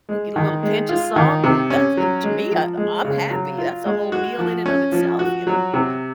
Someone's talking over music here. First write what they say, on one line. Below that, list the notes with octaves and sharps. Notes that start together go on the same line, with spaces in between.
I get a little pinch a salt, and that's the to me, uh, I'm happy, that's a whole meal in and of itself, you know?
G#3
D#3
G#3
F4
D#3
C3
C#4
F#3
G#3
F3
G#3
C#3
F#3
F4
G#3
F#4
F3
C#4
F3
F#4
F#3
C3